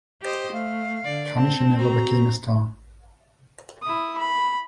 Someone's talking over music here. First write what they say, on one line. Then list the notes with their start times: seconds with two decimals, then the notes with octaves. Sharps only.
Funny she never became a star.
0.22 G4 C5 D#5
0.52 A3 F5
1.04 D3 D5
1.35 C4 A5
1.79 F#4 A#5
3.82 E4 D#6
4.18 B5